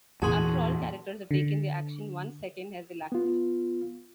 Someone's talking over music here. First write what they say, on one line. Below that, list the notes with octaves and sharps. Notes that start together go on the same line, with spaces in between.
After all characters have taken their action, one second has elapsed.
E2 A#2 E3 F#4 G#4 A5 C6
D3
B3 F4